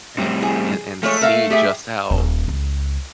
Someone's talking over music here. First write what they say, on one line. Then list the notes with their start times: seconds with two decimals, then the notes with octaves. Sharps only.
and and and see just how
0.18 A2 G3 C4
0.42 G#4
1.03 F3 G#3 A3 C#5
1.22 A#4 E5 F5
1.50 G4 G#4 E5
2.11 D#1
2.48 C#2